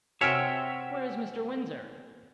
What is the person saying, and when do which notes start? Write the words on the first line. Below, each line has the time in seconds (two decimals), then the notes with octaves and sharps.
"Where is Mr. Windsor?"
0.21 C3 C4 F#4 C#5 E5 G#5 F6 D7